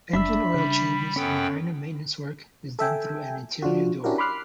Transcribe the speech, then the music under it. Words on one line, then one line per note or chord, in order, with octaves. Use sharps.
Engine oil changes and minor maintenance work is done through an interior door.
F#1 D4 E5 B5 E6
C#3 G3
F#2 B3 C#4 A4 G5
A4 E5 G5 G#5
F3 D4 F4 F#4
C#4 D4 E4 F#4 G4 A#4
B5 C6 D6 F6 F#6 C7